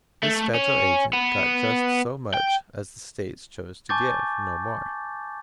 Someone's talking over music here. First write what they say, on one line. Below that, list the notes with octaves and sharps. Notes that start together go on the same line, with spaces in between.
This Federal agent got just so much as the States chose to give--no more.
A3
C#4
B3
G5
G#5 A5 C#6 D6 G6 A6